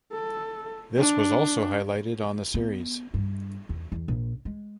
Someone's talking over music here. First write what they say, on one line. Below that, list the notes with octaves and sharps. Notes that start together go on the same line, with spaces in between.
This was also highlighted on the series.
A4
D4
B3
G2
E2
E2
A#1
G#3